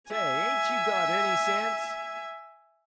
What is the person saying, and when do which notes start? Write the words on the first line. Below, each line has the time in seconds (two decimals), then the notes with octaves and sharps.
"Say, ain't you got ANY sense?"
0.10 E5 G#5